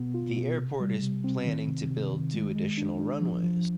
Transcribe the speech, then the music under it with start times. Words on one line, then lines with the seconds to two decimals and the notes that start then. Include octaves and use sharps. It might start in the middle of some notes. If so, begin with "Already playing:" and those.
The airport is planning to build two additional runways.
Already playing: B2 B3
0.14 F4
0.37 B2
0.58 C3
0.80 G3
1.02 C3
1.24 C4
1.46 D#3
1.68 C3
1.90 C3
2.12 D#3
2.34 G#3
2.55 G#3
2.78 D4
2.99 D4
3.21 F3
3.43 F3